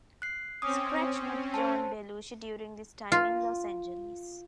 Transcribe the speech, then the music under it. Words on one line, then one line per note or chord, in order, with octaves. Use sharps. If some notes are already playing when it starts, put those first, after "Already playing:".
Scratch met John Belushi during this time in Los Angeles.
F#6 C7
C4 C#4 D6 D#6
C5 A5
F4